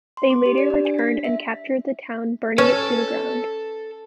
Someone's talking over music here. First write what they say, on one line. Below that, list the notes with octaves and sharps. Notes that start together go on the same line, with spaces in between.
They later returned and captured the town, burning it to the ground.
C6
D6
G4
D5
D4
G#5
B6
E5
C#4 A4 B4 A5